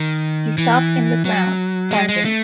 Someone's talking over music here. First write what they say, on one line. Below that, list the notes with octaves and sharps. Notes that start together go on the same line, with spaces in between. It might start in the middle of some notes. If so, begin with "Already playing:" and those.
He stopped, and looked round, panting.
Already playing: D#3
E3
F#3
G#3
G#3
A3